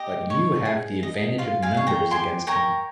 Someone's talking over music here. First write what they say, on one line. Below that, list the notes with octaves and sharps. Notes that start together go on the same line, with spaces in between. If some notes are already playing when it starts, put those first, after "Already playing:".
But you have the advantage of numbers against him.
Already playing: G4 D#5
C#5
G#4
D#5
F4 F5
F5 G#5
G#4 C#5
G5 A#5
G4 G#5 C6
A#4 C#5 G5 A#5